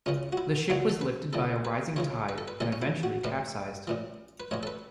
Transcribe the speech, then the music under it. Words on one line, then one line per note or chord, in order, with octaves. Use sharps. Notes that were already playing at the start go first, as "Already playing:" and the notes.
The ship was lifted by a rising tide and eventually capsized.
C#2 C#3 E3 C#4
F#4
E4
C#2 C#3 E3 F#4
A4
B4
C#2 C#3 E3 A4
B4
C#2 C#3 E3 C#5
B4
A4
B4
A1 A2 E3 A4
C#4
E4
F#4
A1 A2 E3 B4
A1 A2 E3
B4
A1 A2 E3 C#5
A4
B4